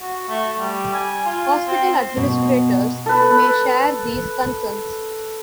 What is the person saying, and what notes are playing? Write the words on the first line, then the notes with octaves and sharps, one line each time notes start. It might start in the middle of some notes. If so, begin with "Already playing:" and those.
Hospital administrators may share these concerns.
F#4
A3
G3
G#5
F4
C4
B2
A4 B4